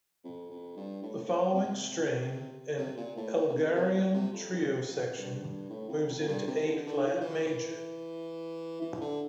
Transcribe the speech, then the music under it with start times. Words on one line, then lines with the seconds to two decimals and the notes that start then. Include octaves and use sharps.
The following strain, an Elgarian trio section, moves into A-flat major.
0.24 F2
0.51 F2
0.77 G2
1.02 A2
1.28 A#2
1.54 C3
2.77 C3
2.97 A#2
3.17 A2
3.36 A#2
3.48 D3
3.55 C3
3.75 C3
3.94 A#2
4.14 C3
4.33 F2
4.53 G2
4.72 F2
4.92 F2
5.17 G2
5.43 G2
5.70 A2
5.89 F2
6.09 F2
6.20 F2
6.28 G2
6.47 C3
6.66 D3
6.86 D3
7.06 E3
7.13 F3
7.21 E3
8.81 E3
9.01 D3